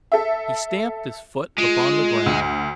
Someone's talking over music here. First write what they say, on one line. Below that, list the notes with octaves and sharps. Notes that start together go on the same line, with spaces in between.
He stamped his foot upon the ground.
A4 E5
G#3 F4 D7
D2